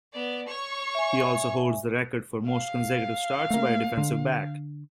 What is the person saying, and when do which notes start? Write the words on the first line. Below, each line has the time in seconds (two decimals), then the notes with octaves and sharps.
He also holds the record for most consecutive starts by a defensive back.
0.13 B3 D5
0.47 C#5 C#6
0.95 E5 G#5
2.47 F5
3.50 A3 A#3
3.97 D3